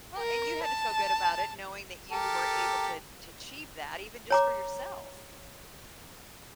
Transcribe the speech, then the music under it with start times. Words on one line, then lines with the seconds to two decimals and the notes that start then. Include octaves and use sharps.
Well, and you had to feel good about it knowing that you were able to to achieve that even just for yourself.
0.17 A#4
0.64 A5
2.12 G4 A4 A#4
4.30 C#5 A#5 D6